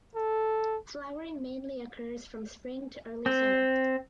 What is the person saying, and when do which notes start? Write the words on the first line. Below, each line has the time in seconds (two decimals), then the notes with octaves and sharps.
Flowering mainly occurs from Spring to early summer.
0.16 A4
3.26 C4